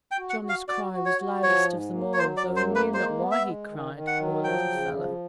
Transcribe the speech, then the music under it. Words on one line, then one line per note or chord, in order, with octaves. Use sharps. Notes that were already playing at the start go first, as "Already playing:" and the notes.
Johnny's cry was loudest of them all, though he knew not why he cried, poor little fellow.
G5
F#4
F#5
F#4
F5
F#4 D5
F#4
C#5
F#4
F3 C#5
G#2
A#3
C#5
F#3 C5
D5
F#2
C5
A#3
B4
G#3 C5
B3
E5
G#3
D#3
D#3
F#5
F#3
F3 G5
C#3
F3